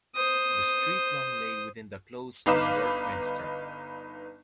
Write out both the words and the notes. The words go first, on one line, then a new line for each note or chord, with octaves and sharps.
The street long lay within the close of York Minster.
C5 D#6
G1 D#4 B4 F5 D6 E7